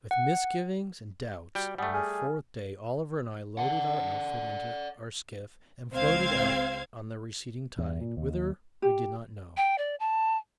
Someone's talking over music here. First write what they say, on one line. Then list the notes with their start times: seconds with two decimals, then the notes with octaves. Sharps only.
With misgivings and doubts, on the fourth day Oliver and I loaded our outfit into our skiff and floated out on the receding tide, whither, we did not know.
0.11 F#5
1.55 G3 F#4 G5
1.78 G3 A3 F#5 G#5 D#6
1.94 G#4 G#5 F6
3.58 D5 F#5
5.93 C#2 C4 C5 F5 G#6
7.78 E2
8.01 A#2
8.17 D#2
8.82 G4
9.57 G5
9.78 D5
10.00 A5